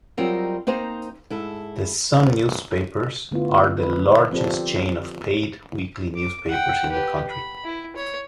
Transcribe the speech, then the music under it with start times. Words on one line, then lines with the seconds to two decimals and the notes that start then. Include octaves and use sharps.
The Sun Newspapers are the largest chain of paid weekly newspapers in the country.
0.17 F#3 G3 C4 D#4 F4 A#4
0.67 A#3 C4 D#4 C5 A#5
1.30 G#2 E4 A4
3.31 D3 A3 B3 E4 F4
3.78 B4
4.32 F3 C4 F4 G4 A4 D5
6.15 D6
6.49 F#5 G5
6.91 G4 B4
7.30 B5
7.64 E4
7.96 C#5